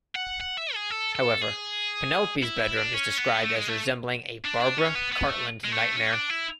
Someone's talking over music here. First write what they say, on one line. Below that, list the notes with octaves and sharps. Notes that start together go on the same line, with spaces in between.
However, Penelope's bedroom is described as resembling a "Barbara Cartland nightmare".
F#5
F#5
E5
G#4
A4
A4
G#4
E4
E4
D4
C#4
B3
A3
G#3
A3
D4
D4
C#4
B3
B3
A3
G#3
A3
C#4
D4
E4